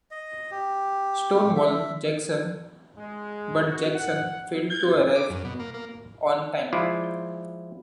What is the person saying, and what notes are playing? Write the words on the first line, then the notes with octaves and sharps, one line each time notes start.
"Stonewall" Jackson, but Jackson failed to arrive on time.
D#5
G4
E5
G#3
F#4
F#5
D6
F#2
B2
A#3
A#3
F3 G#3 E4 F4 D5